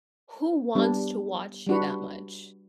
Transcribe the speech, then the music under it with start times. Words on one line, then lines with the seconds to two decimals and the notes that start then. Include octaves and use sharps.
"Who wants to watch you that much?
0.75 G3 B3 D4
1.67 G3 D4 F#4 B4